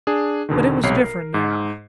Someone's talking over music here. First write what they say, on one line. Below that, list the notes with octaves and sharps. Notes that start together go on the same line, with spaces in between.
But it was different now.
D4 G#4
E2 B2 D3 D#3
B1 C3 C#5 C7
A#4
G#2